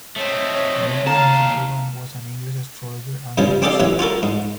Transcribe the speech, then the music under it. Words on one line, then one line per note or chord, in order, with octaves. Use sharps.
Madeline Montalban was an English astrologer and witch.
A3 C4 C#5 D#5 E5
D#2 F5 A5 A#5
G2 C#3 F3 G3 B3
C4 D4 G4 A4 D#5 F5
A1 E3 F#3 E5
F4 F#4 A4 A#4
G#2